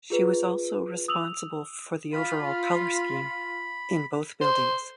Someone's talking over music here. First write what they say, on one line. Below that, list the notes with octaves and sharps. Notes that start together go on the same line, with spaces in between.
She was also responsible for the overall colour scheme in both buildings.
F4 G#4 B4
D#6 E6 F7 F#7
F4 B5
C5